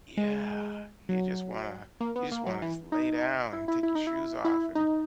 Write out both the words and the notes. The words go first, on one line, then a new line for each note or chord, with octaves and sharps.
Yeah, you just wanna you just wanna just lay down and take your shoes off and
G#3
F#3
A#3
B3
A#3
F#3
E3
D#4
E4
E4
E4
D#4
E4
E4
D#4